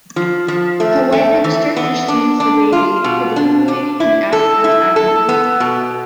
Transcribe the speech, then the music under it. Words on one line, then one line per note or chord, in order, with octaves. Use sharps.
A white minister christens the baby, predictably, as Abner.
F3
F3
A3
A3
E3
B3
D4
D4
F4
B2
D4
D4
E4
A4
E4
A4
B3
B2